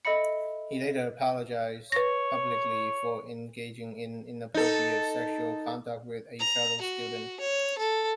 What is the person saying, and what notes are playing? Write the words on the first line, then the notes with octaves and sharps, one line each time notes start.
He later apologized publicly for engaging in inappropriate sexual conduct with a fellow student.
A4 D#5 E5 B5 C#7
B4 C#5 A#6
D#4 A4
A#5
F#4
C#5
A4